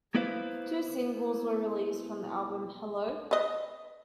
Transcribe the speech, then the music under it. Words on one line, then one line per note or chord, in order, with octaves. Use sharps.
Two singles were released from the album: Hello?
A#3 B3 E4 B4 C5 F5
B4 D#5